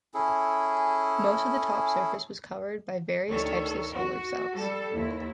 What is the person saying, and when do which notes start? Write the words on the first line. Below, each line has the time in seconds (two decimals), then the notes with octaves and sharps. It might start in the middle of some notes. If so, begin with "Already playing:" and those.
Most of the top surface was covered by various types of solar cells.
0.14 C#4 E4 G#4 A4
3.29 D2 D#3 A4 C#5
3.92 F#4
4.56 G3 A4
4.93 D#2 E4